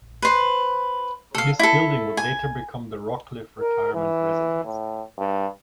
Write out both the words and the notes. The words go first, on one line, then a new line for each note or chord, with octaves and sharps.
This building would later become the Rockcliffe Retirement Residence.
B4 C5
A4 F5
E4 A4
G#5
A#4
E3
A2
G2